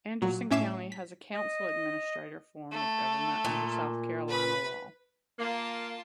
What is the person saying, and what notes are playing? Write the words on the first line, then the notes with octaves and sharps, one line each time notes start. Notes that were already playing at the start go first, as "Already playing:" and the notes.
Anderson County has a Council-Administrator form of government under South Carolina law.
A#2 F#3
A2 C#4 E5 D6 C7 E7
B6
D#5
A3
A#2
B4 B5
A#3 F4 A5